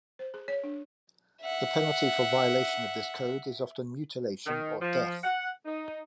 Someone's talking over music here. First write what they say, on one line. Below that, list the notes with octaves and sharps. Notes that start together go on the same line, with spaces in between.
The penalty for violation of this code is often mutilation or death.
C5
G#4
C#5
D4
E5 F#5
D#3
F3
F#5
D#4